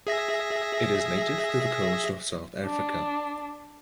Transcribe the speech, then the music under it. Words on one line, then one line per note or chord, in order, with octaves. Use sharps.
It is native to the coast of South Africa.
G#4 E5 A#6
D4